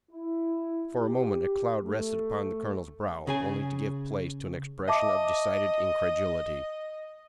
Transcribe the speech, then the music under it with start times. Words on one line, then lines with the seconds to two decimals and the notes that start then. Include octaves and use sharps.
For a moment a cloud rested upon the colonel's brow, only to give place to an expression of decided incredulity.
0.12 E4
0.96 G4
1.81 A3
3.27 C#3 G#4 G#5
4.88 D#5 E5 A5 D6